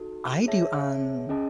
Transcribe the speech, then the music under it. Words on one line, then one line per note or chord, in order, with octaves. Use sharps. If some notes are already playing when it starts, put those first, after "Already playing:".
I do, um
Already playing: D#4 F#4 A4
G#4 C#5 E5 A5
C#4 G#4 D#5 A5